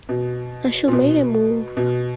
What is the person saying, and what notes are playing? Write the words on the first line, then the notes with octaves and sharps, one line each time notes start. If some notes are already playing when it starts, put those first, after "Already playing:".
I should make a move.
B2
A#2
B2
B2